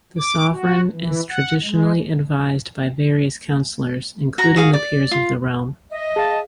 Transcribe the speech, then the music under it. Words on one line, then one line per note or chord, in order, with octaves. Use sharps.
The Sovereign is traditionally advised by various counsellors, including the peers of the realm.
D6
F#4
E3
F#5
G#3
F#4 A#5
F#4 G#4 F5
D5
F4
D#5 E5
G#4 F5 A5